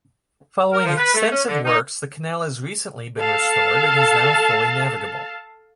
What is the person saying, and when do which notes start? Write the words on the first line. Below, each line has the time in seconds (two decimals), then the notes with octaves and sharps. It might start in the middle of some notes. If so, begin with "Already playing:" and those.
Following extensive works the canal has recently been restored and is now fully navigable.
0.73 A#4
0.85 F3
0.98 B4
1.14 A3
1.32 C#4
1.48 D3
1.65 D#4
3.18 A4 F5 A5